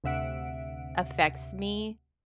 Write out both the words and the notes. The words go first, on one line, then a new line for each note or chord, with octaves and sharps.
affects me,
D2 C3 E5 F#5 D7